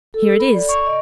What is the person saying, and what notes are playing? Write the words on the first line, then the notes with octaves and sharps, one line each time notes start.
"Here it is."
A4
B5
D5
C#6
D#5